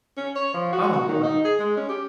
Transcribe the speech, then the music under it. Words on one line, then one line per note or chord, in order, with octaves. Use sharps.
Oh, wow.
C#4
C#5
F3
F#4
F#4
D#3
D#4
G#4
G#3
C#4
G4